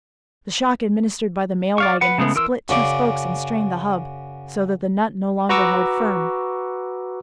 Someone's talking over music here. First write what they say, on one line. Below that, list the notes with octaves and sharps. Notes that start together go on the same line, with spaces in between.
The shock administered by the mail-wagon had split two spokes and strained the hub, so that the nut no longer held firm.
D5 F5 C#6
B4 F#5
C#3 G#3 A3 B3
E3 A#4 C6 E6
F#2 C#3 D5
F#4 B4 A#5 C#6 D6 E6